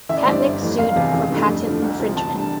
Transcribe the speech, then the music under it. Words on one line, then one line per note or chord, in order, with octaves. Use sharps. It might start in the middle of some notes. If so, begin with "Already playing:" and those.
Catnic sued for patent infringement.
A1 E5
D5
G2 E3 G3 C5
D5
G1
F2 E3 A3
F1 F5
E2 C3
A1
G2 E3 A3
F2
D3 F3 A3
C2
C3 F3
E1 A5
D3 G3